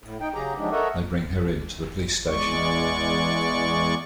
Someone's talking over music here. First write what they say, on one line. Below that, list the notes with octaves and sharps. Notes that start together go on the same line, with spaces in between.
They bring her in to the police station.
A2
D#4 G5
C#3 F#3 G4 G#4 A#5
F3 F#3 G#3 D4 D#4 G4
A4 A#4 C#5 D#5 E5 F#5
E2 G#3 D5 C#6